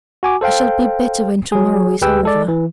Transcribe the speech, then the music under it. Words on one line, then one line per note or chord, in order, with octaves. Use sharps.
'I shall be better when to-morrow is over.'
F#4 G#5 D6
A4 C5 F5 G5
F#3 G#4
D2 G4 G#4 B4 G5 E6
G#3 A4 D5
E3